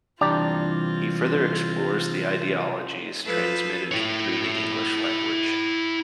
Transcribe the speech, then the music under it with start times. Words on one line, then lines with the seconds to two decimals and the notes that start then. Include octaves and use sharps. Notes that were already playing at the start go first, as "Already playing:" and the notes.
He further explores the ideologies transmitted through the English language.
0.21 C2 E3 C4 D4 F4 G4 D5 A#5
3.26 F3 A4 B4
3.91 E4 C#5